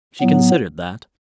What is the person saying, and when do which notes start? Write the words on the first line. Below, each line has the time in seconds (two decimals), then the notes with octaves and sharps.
She considered that.
0.21 A2 F#3 B3